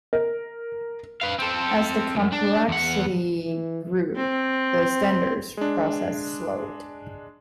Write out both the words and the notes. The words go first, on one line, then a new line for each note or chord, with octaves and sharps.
As the complexity grew, the standards process slowed.
A#4
B4 F5
C4 A4
C2 F#2
D4
E2 F#5
E3
C4
G#3 D4